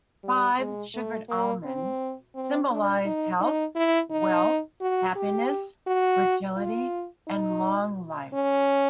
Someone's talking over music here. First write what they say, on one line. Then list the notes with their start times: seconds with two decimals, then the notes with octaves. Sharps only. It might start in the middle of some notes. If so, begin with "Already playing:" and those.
Five sugared almonds symbolize health, wealth, happiness, fertility and long life.
0.24 G3
0.59 G#3
0.94 A3
1.29 A#3
1.65 C4
2.35 C4
2.70 D4
3.05 D#4
3.40 D#4
3.76 E4
4.11 D#4
4.81 F#4
5.16 G4
5.87 F#4
6.57 F4
7.28 D#4
8.33 C#4